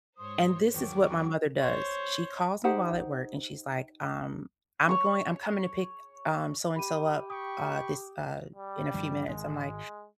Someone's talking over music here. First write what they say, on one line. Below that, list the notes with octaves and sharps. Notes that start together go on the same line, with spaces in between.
And this is what my mother does, she calls me while at work, she's like, um, "I'm going I'm coming to pick, um, so-and-so up, uh, this, uh, in a few minutes." I'm like,
G#2 C5 C#5 C6 D#6
E2 D#3 F#3 G5 C#6 D6
C4
C5 C#5
D#4 G4 C5 F#5
C#5 C#6
G4 B5 D#7
G5 B5 C#6 D#6
G3
G2 D#3 F3
G#1 G#3